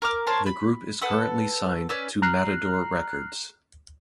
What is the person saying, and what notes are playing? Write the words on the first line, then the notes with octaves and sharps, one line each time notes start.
The group is currently signed to Matador Records.
A#4 D6 F6
A#4 C5 C#5 A5
B5
A4 B4 F#5 E6
C#4 B4 D5 E6
A#5 F6 F#6 C7